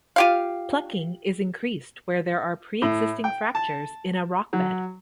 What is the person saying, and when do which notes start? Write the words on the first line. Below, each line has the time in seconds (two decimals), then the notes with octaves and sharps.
Plucking is increased where there are preexisting fractures in a rock bed.
0.16 F4 G4 F5
2.82 A2
3.24 G5
3.55 A5
4.53 F#3